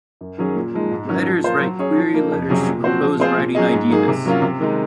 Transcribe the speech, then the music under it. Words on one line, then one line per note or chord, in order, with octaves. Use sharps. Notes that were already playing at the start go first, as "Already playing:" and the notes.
Writers write query letters to propose writing ideas.
F#2
D#3 F#3 C#4 G#4
A#2
F3 G#3 D#4
G#2
D#3 F#3 C#4 F#4
F3
A#3 F4 C5
F#3
C#4 G#4 C#5
F3
A#3 D#4
F2
C3 F#3 C#4 G#4
A#2
F3 C4 F#4 C5
F3
C4 F4 G#4 C5
A#2
F#3 C#4 G#4 D#5
G#2
F#3 A#3 D#4 G#4
C3
F#3 A#3 C#4 F4
C3
D#3 G#3 D#4